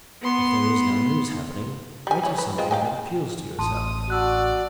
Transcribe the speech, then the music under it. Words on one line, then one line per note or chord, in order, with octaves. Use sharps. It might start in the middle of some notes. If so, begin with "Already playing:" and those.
If there is no news happening, write of something that appeals to yourself.
B3 C6
G3 G#5
E4 C#5
B4
G#3 C4 F4
F5 G5 G#5
A1 A5 C6 D#6
F#4 D5 A5 E6 F#6